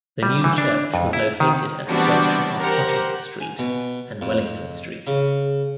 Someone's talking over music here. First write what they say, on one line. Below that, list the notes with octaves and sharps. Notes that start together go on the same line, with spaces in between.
The new church was located at the junction of Pottinger Street and Wellington Street.
G3
E3
D4
F2
E4
D#3
E3 G3 B3 C4 D4 F#4
G4 A#4 C5 F#5
G#5
B2
F2
C#3